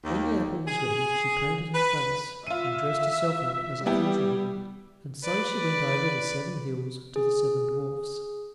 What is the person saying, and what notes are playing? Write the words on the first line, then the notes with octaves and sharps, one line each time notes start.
When the apple was ready she painted her face, and dressed herself up as a country-woman, and so she went over the seven hills to the seven dwarfs.
D#2
G#4
B4
F4 E5 D#7
G3 B3 E4 G4
B4 D5
G#4